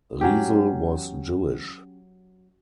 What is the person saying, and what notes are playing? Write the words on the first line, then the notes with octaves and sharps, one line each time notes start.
Riesel was Jewish.
F#3 C#4 G4